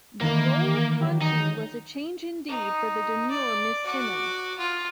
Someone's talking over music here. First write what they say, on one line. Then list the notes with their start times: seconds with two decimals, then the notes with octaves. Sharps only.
The role of Kanchi was a change indeed for 'the demure Miss Simmons.
0.21 D#3 E3 A#3 E4
1.01 F#3 G4
1.21 D#4 G#5
2.48 D#4
3.30 D5
3.86 F#4 D6
4.58 F4